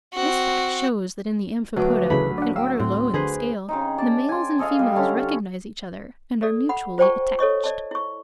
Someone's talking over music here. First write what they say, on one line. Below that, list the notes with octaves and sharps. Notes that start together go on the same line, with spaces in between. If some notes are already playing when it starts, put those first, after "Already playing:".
This fact shews that in the Amphipoda, an order low in the scale, the males and females recognise each other, and are mutually attached.
C4 F#4
D2 F#3 B4 D6
C#3 E3 A3 B5
D4 D5 F#5
F5 G5 E6
A2 C4 C6
D3 G#4 B4 C5
C#3 C4 D#4
D5 A5
G#5 C6
G#4 A4 D#5 F5
G3
D3 C#4 G4
A4 D5
F#5 B5
F4 C5 D5 G5 A5 C#6
A4 C#5 D#5 C#6
D5 D#5 A5
E4 C#6